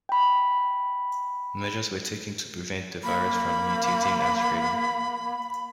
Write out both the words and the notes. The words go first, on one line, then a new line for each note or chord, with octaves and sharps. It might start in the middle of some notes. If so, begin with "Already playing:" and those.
Measures were taken to prevent the virus from mutating and spreading.
G5 B5
A#3 B5